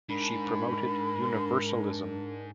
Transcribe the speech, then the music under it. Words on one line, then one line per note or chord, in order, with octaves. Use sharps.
She promoted universalism.
G#2 D4 A#4 B5